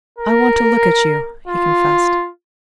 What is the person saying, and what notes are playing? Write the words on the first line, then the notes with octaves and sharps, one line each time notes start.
"I want to look at you," he confessed.
A#4
F4